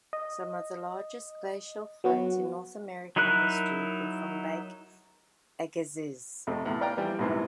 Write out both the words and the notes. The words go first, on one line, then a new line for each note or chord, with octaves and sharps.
Some of the largest glacial floods in North American history were from Lake Agassiz.
D#5
F#3 B3 F#4
F#3 D#4 E4 A#4 F#6
F2 C3 A3
E2 A2
B4 D5 F5 G5 A#5
E3 F3 G3
A#1 E2 G#2 C3 E3